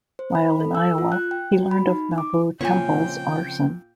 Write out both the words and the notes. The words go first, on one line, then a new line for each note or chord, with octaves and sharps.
While in Iowa, he learned of Nauvoo Temple's arson.
C5
B5
A4
E6
F4
F#6
G5
F#4
B5
D#4
D6
A#2 C#3 F3 C4 C#5 G5 G#5